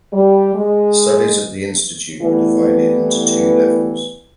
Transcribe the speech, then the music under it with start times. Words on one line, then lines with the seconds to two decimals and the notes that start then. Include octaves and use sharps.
Studies at the Institute were divided into two levels.
0.13 G3
0.55 G#3
2.22 E3 G3 A3 B3 E4